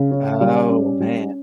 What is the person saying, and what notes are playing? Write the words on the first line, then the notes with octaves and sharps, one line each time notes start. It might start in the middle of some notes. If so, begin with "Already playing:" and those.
Oh, man.
Already playing: C#3
C#4
G3
C#4
G3